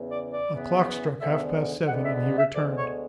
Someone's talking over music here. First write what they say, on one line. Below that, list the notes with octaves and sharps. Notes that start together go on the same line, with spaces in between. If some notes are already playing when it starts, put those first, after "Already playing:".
A clock struck half-past seven, and he returned.
Already playing: E2 C#3 E3 B3
D5
D5
E2 C#3 E3 B3
D2 D3 G#3 B3 E5
D2 D3 G#3 B3 F#5
E5
E5
D2 D3 G#3 B3 D5
C#5